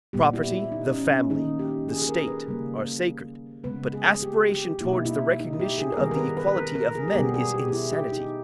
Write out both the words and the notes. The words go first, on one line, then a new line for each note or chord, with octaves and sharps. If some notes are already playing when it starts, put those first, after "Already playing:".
Property, the family, the state, are sacred; but aspiration toward the recognition of the equality of men is insanity.
A#2 G3 B3 G4
E4
E4
D#4
C#4
C#4
D#3 A#3 D#4
G4
G#4
G#4
A#4
B4
C#3 G3 A#3
C#3 G#3 B3 B4
G#4
G4
G4
B2 A#3 E4
D#4
E4
D#4
E4
G4
G#4
A#4
D#3 G3 B3 G#4
A#4
B4
B4
B4
A#4
A#4
G#4
G4
B2 G3 B3 G#4
G#4
G4
G4
E4
G4
D#4